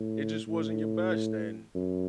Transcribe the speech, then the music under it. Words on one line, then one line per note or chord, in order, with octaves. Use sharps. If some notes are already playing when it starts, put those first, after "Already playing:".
it just wasn't your best. And
Already playing: A2
A2
F#2